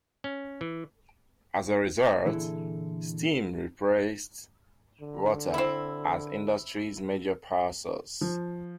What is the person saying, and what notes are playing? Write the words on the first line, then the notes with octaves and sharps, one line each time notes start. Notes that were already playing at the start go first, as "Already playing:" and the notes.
As a result, steam replaced water as industry's major power source.
C#4
E3
A#2 D3 E3 E4 G#4 A4
D3
C4 E4
F3